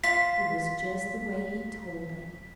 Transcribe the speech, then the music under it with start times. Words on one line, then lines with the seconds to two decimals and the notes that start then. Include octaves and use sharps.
It was just the way he told it.
0.04 F4 C5 B6